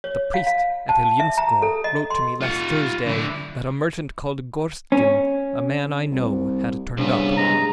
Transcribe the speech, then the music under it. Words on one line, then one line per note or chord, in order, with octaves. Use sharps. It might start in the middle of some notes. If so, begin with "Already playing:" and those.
The priest at Ilyinskoe wrote to me last Thursday that a merchant called Gorstkin, a man I know, had turned up.
C#5
F5
F5
A5
E5
A#5
A4
D#5
C6
F4 F#5
D3 E4
C#4
C2
C2 G2 C#3 B3
G#3 A#5